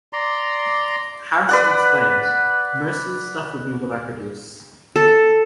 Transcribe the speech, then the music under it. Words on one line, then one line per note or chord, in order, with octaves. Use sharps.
Harrison explained: "Most of the stuff will be what I produce".
D5 A#5 C6
B4 D5 F#5
A4